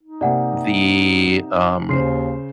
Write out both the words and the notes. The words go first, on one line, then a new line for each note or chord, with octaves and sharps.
The um
D#4
C3 A#3 D5 F#5 G#5
D#2 C#3 C5 C6 C7